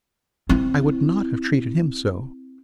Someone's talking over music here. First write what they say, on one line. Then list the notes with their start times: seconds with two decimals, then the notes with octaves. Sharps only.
I would not have treated him so.
0.49 C4 E4